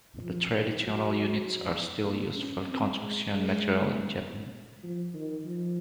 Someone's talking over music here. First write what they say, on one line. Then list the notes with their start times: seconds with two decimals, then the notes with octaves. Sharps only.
The traditional units are still used for construction materials in Japan.
0.20 F3
0.52 D#3
0.82 F#3
2.05 A#3
2.36 C#4
2.67 C4
2.98 G#3
3.29 G#3
4.84 F3
5.14 D#3
5.45 F3